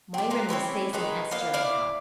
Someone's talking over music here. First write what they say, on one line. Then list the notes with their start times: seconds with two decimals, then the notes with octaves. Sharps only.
Myrin was facing Estra now.
0.14 C4 G4
0.30 A#3 F4 B4
0.49 C4 C#4 E4 G4
0.93 D#3 G#3 D#4 B4
1.31 A#3 B3 F5
1.54 E4 D5 F5